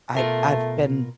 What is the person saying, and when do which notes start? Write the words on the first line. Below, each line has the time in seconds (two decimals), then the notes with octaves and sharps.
I I've been
0.17 B2 A3 F4 A#4